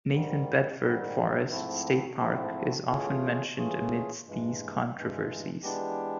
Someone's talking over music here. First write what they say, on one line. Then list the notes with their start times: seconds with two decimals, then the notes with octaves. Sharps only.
Nathan Bedford Forrest State Park is often mentioned amidst these controversies.
0.11 G#2 D#3 G3
0.80 G#2 D#3 G3
1.50 G#2 F3 A3 C4 E4
2.18 G#2 F3 A3 C4 E4
2.88 E3 A3 C#4 F4 G#4
3.56 E3 A3 C#4 F4 G#4
4.25 G2 E3 G#3
4.95 G2 E3 G#3
5.63 E3 G#3 B3 D4 G4